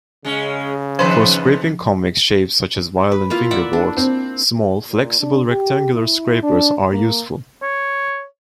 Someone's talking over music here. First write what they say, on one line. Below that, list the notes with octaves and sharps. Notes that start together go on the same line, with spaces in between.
For scraping convex shapes such as violin fingerboards, small flexible rectangular scrapers are useful.
C#3 G#3 C#4
F2 D#3 F3 B4 C5
B4
A#3 E4 F4
D5 E5 F#5
D4
C4
A#2
D4
G4
E4
D4
A#3
C#5